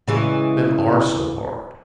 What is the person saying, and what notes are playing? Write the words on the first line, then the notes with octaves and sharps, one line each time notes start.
Men are so hard!
C#3 E3 G#3